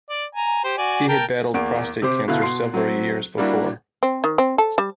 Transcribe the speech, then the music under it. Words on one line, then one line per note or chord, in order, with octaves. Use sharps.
He had battled prostate cancer several years before.
D5
G#5 A#5
G4 C5
F#4 D5 G#5
A#4 G5 A5
E2 A#3 D7
C3 G4 C5 D6
G1 B2 E4 F4 F5 F#6
B2 C6 C7
F#3 C4
G3 A#3 D4 E4 F#4
C4
D#3
C4
A4
G3